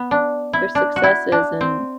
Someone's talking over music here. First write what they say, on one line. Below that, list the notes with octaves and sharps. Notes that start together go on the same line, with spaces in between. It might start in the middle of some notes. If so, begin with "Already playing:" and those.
their successes, and
Already playing: B3
D4
E4
D4
F#4
E4
D4
C4